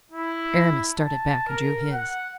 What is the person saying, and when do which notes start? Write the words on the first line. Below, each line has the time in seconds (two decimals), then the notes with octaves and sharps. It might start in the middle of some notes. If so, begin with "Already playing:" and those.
Aramis started back and drew his.
0.12 E4
0.95 A5
1.47 A#4
1.92 F#5